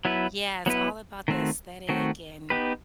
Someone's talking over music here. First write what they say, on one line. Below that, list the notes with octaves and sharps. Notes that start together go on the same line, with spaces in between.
Yeah, it's all about the aesthetic and,
F#3 B3 E4 B4
F#3 B3 E4 B4
D#3 A3 C4 F#4
D#3 A3 C4 F#4
B3 D#4 G4 B4